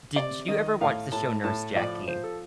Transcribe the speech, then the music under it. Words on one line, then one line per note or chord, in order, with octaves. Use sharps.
Did you ever watch the show Nurse Jackie?
C3 D5
D#3 D#5
A2 F5
A2 A5
A2 A5
F3 D5
F3 C5
A4